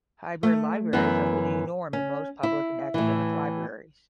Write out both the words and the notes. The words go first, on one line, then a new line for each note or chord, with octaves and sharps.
Hybrid libraries are the new norm in most public and academic libraries.
A3
F#2 E3 B3
C#4
E4
A2 E3